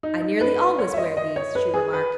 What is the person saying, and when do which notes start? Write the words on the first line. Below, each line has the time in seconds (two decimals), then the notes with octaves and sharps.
"I nearly always wear these," she remarked.
0.03 D#4
0.22 D#4
0.41 B4
0.79 C#5
0.94 E5
0.97 D#5
1.17 D#5
1.36 C#5
1.55 B4
1.74 G#4
1.93 B4